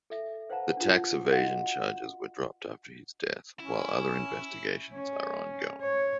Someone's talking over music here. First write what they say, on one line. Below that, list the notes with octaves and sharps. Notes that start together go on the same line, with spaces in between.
The tax evasion charges were dropped after his death, while other investigations are ongoing.
A4 E5
B4 C5 F5 F#5 A5 A#5
D4 F4
F#4 D#5 F5 F#5
C#4 E4
C#4
C#5